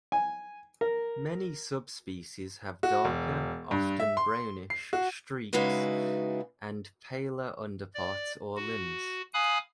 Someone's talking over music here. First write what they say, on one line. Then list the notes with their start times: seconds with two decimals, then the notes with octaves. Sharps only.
Many subspecies have darker, often brownish, streaks, and paler underparts or limbs.
0.12 G#5
0.81 A#4
2.83 F#4
3.05 E1
3.71 G2
4.00 E5
4.17 C6
4.70 C7
4.93 F#4
5.53 C#3 G#3 D#4 E4 F#4 B4
7.95 D5
8.56 F#4
9.34 F5 G#5 B5 D#6 F#6